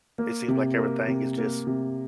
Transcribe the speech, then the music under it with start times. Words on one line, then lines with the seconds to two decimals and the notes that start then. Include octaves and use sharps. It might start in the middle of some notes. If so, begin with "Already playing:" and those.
it seems like everything is just
0.18 A#3
0.48 C3
0.77 A#3
1.07 C3
1.38 A#3
1.67 C3